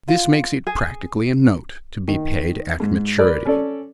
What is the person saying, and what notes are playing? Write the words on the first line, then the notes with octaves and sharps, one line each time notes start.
This makes it practically a note, to be paid at maturity.
F4
G#4
D#3
G#2
A#4 B4 D5
C#4 A4 D5